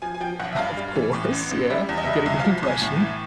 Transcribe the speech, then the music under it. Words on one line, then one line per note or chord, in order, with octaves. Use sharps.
Of course. Yeah. I'm getting that impression.
F3 G#5
G#5
F3 G5
B1 F#5
E5
G2 F5
G3
E3
A2
A1
A1
G3 E5
E2
D#5
G3 E5
D#5
C2 E5
F5
F3
C2 G#5
A2
E3